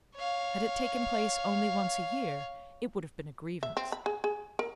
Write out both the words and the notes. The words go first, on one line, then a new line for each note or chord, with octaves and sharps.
Had it taken place only once a year, it would have been a grievance.
C#5 F5
E5
C4
B5
G#4
G#4
A#4